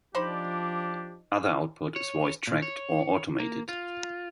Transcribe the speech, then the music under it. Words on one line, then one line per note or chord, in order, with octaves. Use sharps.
Other output is voicetracked or automated.
F3 D4 D#4 G4 C5 B5
C#5
A#2
C#5
A#3
F4